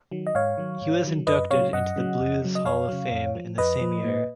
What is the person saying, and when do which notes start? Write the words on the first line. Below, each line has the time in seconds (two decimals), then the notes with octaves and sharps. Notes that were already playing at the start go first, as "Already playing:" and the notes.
He was inducted into the Blues Hall of Fame in the same year.
0.12 D#3 F#3
0.27 D#5
0.35 G#2 C#5 F5
0.58 D#3 F#3
0.82 G#2
1.04 D#3 F#3
1.27 F#2 B4 D#5
1.51 C#3 F#3 C#5 F5
1.73 F#2 D#5 F#5
1.96 C#3 F#3
2.20 F2
2.42 C#3 F#3
2.55 D#5
2.65 F2 C#5 F5
2.89 C#3 F#3
3.11 F2
3.35 F3
3.58 F2 B4 D#5
3.81 F3
4.04 A#2